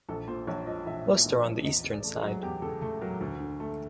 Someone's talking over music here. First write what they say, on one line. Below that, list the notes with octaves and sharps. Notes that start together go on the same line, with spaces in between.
Most are on the eastern side.
A#1 A4
A#2 C5
A#1 C#5
F3 D#5
A#1 E5
A#2
A#1
F3
E2 D#5
C#3
D5
A3
G#4
F#3
E2 G4
C#3 A4
A3
F#3 A#4
D2
D3
A3